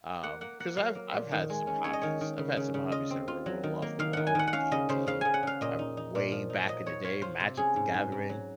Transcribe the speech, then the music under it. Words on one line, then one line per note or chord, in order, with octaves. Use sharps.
Um, cause I've I've had some hobbies, I've had some hobbies that were a little off the wall, like D&D, I'm way back in the day; Magic The Gathering,
A#3 F#5
A#3 F#5
A#3 F#5
F#3 F5
A#3
A#2
D#3
G#3
C#4
C#4 C#5
D#5
D#3 C#5
D#3
C#3
C#3
C#3
F4 D#5
C4
F4
F#3
D#3
A#3
D#3 F5
D#3 F#5
G#5
D#3 F#5
F#5
C#4 F5
C#3 D#5
C#3 C5
C#3 F5
C#3 G#5
F#5
C#3 F5
A#2 D#5
D#4
D#4
A#2
F3
D#4
F#3 D#5
F#3 C#5
F4 C#5
F4 C5
C3 C5
C#4 G#4
G#2
G#2
G#2
F#3